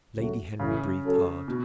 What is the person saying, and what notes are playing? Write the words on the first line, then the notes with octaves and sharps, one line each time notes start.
Lady Henry breathed hard.
C#2 C#3 F#3 A3 F#4
A1 A2 C#3 E3
C#3 F#3 C#4 A4
B2